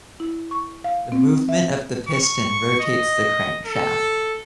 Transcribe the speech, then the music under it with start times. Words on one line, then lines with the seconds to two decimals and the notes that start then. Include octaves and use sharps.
The movement of the piston rotates the crank shaft.
0.20 E4
0.51 C#6
0.84 F5
1.12 C4
1.49 E5
2.09 C#6
2.80 D#5
3.67 A4